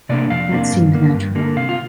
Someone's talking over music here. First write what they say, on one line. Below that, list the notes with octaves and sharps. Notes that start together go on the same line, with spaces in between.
That seems natural.
C3 A#3 D4 D5
F2 F5
C3 A#3 D4
G2
D3 A#3
G2
D3 A#3
C3 F5
F4